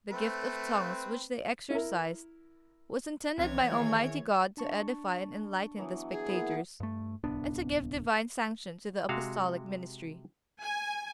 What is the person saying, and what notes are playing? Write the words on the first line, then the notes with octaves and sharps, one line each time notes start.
The gift of tongues which they exercised was intended by Almighty God to edify and enlighten the spectators, and to give Divine sanction to the Apostolic ministry.
A3 C4 B4
E4 A#4
B1 F2 C3 E3 C#5 G#6
D#3 E4 G#4
D4 A5 C#6
E3 F#3 B3
G#4
A#3 B3 E4
G2 A3
D1 C2 B3 D4
C3 G#3 F#4 F5
G#5